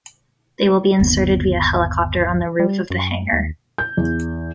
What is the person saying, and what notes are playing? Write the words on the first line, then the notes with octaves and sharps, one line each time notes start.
They will be inserted via helicopter on the roof of the hangar.
G1 D#2 B3
G3
F#2
D#2
G6
E2